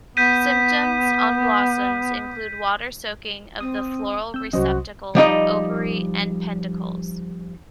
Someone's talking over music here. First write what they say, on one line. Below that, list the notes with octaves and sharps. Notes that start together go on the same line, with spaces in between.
Symptoms on blossoms include water soaking of the floral receptacle, ovary, and peduncles.
B3 G6 B6 D#7
C4 D#6
C4 E6 G6
C2 F#3 C#4 F#4 C5 D#5
F3 G3 D#4 D#5